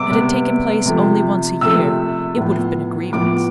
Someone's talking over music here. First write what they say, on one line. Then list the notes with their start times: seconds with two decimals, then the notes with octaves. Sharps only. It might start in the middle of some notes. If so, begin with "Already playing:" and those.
Had it taken place only once a year, it would have been a grievance.
Already playing: C3 G3 B3 D6 E6
0.10 C3 G3 B3
0.86 C3 F3 A3
1.61 C3 F3 A3 E6
2.37 A2 F3 B3
3.13 A2 F3 B3 D6